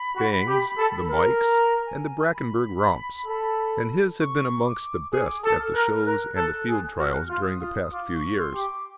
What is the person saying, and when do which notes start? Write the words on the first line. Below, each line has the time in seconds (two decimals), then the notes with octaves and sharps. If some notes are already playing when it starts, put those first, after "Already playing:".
Bangs, the Mikes, and the Brackenburg Romps, and his have been amongst the best at the shows and the field trials during the past few years.
Already playing: B5
0.16 F#4
0.48 G4
0.78 A4
1.09 A#4
1.40 A#5
1.86 G#5
2.34 B5
3.27 A4
4.20 C#6
4.66 D6
5.13 G#4 D#6
5.26 D6
5.39 D#6
5.45 A4
5.59 F6
5.74 A#4 F#6
5.86 F6
5.99 F6
6.07 A#4 F#6
6.37 A4
6.68 G#4
6.99 F#4 F6
7.13 F#6
7.27 F4 F6
7.46 D#6
7.61 F4
7.83 D#6
7.93 F4 D6
8.15 C#6
8.39 C6
8.55 G4
8.62 D6